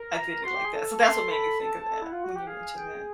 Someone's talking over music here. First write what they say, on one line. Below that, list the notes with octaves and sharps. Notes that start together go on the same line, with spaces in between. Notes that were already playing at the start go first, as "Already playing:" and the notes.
I did it like that. So that's what made me think of that when you mentioned that.
Already playing: A#4
A#5
F#4 C6
G4
G#4
A4
C6
B5
A5
E4 F#5
F4
F#4
G4
G#4 F5
G5